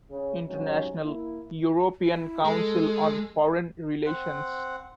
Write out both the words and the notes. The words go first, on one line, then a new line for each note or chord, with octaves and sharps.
International: European Council on Foreign Relations.
C#3
G#2 C3 F#3 G#3 C#4
A#3 E4
E4
G#3 A4
C4 F#5